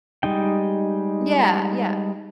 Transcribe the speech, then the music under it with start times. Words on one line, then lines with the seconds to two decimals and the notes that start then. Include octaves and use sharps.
Yeah, yeah.
0.23 G3 G#3 D#4 G5